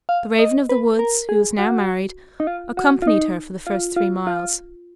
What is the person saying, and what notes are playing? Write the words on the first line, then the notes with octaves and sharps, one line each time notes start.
The Raven of the woods, who was now married, accompanied her for the first three miles.
F5
D#5
B4
A#4
G#4
F#4
D#4
F4
F#4
F4
D#4
F4
F4
F4